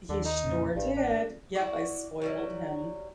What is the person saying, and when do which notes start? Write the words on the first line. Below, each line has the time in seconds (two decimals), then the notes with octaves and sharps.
He sure did! Yep, I spoiled him,
0.09 D#2 D3
0.25 D#4
0.43 F2 A#2 C#3
0.75 A1 G2
0.97 D4
1.55 E4 F#4 D5
2.22 F#3 G3 E4